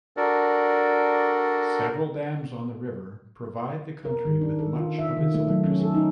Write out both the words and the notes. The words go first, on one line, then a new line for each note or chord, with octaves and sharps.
Several dams on the river provide the country with much of its electricity.
D4 F#4 A4 A#4 D5
A#4
D#3
D4
A4
F4
E5
D#3
A3
F#3
C#4
A4
D#4